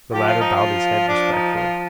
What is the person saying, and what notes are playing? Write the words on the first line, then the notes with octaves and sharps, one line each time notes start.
The latter bowed his head respectfully.
F3 G4
F4
D#4
F4
D4
D#4
F4